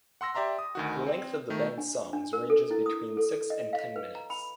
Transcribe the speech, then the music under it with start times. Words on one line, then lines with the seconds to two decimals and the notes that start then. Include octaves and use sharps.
The length of the bands songs ranges between six and ten minutes.
0.21 F#5 C6 E6 A#6
0.35 G4 D5 E5 A#5 C6
0.59 D#6
0.75 D2 D#3 F#4
1.07 C4
1.50 D#3 A3
1.78 D4
2.13 D4
2.33 A#4
2.50 A4
2.70 E4
2.86 D#6
3.17 A4
3.50 D#5
3.73 F5
3.96 B4
4.15 A#5
4.30 B5